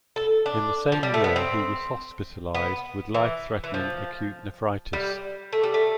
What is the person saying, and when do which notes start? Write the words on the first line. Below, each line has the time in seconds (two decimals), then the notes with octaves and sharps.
In the same year he was hospitalized with life-threatening acute nephritis.
0.16 A4
0.46 D4
0.92 F3
1.03 G3
1.14 A3
1.24 B3
1.36 C4
2.55 B3
3.14 E3
3.64 E3
3.74 F3
4.93 G3
5.53 A3
5.63 G3
5.74 A3